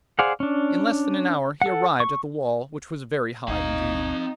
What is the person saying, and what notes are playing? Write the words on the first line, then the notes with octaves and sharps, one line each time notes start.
In less than an hour he arrived at the wall, which was very high indeed.
G#4 C5 D5 F5 F#5
C#4 D4
A4 F#5
C#6
G#1 D#2 B2 C4 D#4 F5